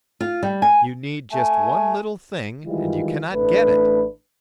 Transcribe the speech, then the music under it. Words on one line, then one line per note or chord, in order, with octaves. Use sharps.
You need just one little thing, and you cannot get it.
F4
G3
G#5
A3 G#5
D#3 E3 G3 G#3 E4 F4
A1 A3 D4 B4